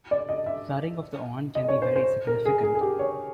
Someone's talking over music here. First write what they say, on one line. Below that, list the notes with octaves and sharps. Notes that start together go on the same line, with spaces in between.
Flooding of the Orne can be very significant.
D5
D#5
E5
D#5
C#5
C5
C5
A#4
G#4
G#4
G#4
G4
C#5